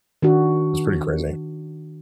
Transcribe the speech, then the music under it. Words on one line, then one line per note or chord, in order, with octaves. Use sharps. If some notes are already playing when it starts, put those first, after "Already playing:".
It's pretty crazy.
D#3 D4 F#4